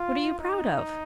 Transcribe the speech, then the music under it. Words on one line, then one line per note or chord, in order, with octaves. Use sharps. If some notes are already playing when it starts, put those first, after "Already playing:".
What are you proud of?
Already playing: F4
D#4